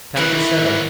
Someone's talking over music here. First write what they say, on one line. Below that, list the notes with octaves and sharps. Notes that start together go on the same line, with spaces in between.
Chapter VII.
D#3 E3 F#3 F#5